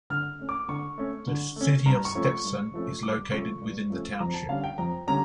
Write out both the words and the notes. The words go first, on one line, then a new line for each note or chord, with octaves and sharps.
The city of Stephenson is located within the township.
D3 F6
A3 C#4
D6
D3 C#6
A3 C#4
D3
A3 C#4
G2 A#5
C#6
F3 A3 C#4
C#6
G2
F3 A3 C#4
G2 D6
F3 A3 C#4 C#6
G2
F3 A3 C#4
F2 A#5
A5
D3 G3 C#4 F5
G5
F2 A#5
D3 G3 C#4 A#5